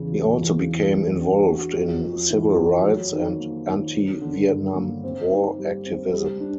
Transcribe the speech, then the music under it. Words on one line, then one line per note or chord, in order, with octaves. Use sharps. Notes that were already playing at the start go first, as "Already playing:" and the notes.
He also became involved in civil-rights and anti-Vietnam War activism.
Already playing: E2 C#3
F#3
E2
E3
F#4
D4
F#4
F2
F2
E3
F2
F#3
D#3
A#3
D#3
F#3
D3
G2
A#3
C4
D#4
G3
C4
G3
D4